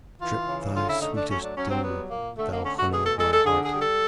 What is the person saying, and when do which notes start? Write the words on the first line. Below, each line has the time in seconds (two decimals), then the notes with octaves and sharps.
Drip thy sweetest dew, thou honey of my heart!
0.20 E3 F4
0.47 C#3
0.75 D3 F4
0.88 E4
1.01 A3 D#4
1.15 D4
1.29 F#3 C#4
1.42 D4
1.56 F#3 C#4
1.69 C4
1.82 G3 B3
2.10 A#2 A#3
2.36 D3 A3
2.50 A#3
2.64 A3 C#4
2.77 F#4
2.91 B2 G#4
3.04 A4
3.18 G#3 A4
3.31 A4
3.45 D3 G#4
3.63 G#4
3.72 G3
3.81 A4